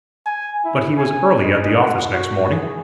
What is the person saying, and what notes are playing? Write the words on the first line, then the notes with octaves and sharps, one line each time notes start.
But he was early at the office next morning.
G#5
E4
G#5
D#5
F#5
F#4
G#4